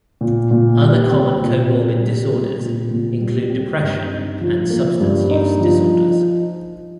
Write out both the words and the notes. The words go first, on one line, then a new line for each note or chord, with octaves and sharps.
Other common comorbid disorders include depression and substance use disorders.
A#2
A#2
G3
C4
A#2
A#2
G3
C4
A#2
A#2
G3
C4
G2
D#4
F3
A#3
G2
D#4
F3